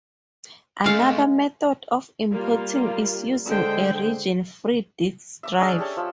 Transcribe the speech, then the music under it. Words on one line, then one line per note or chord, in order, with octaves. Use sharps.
Another method of importing is using a region-free disk drive.
C#3 G#3 A3 F5
G3 A#3 F4
D3 G#3 C5 G5
E5 D6
C#4 D4 G#4 A4
G4 A4 C#5
F3 F4 D5 E6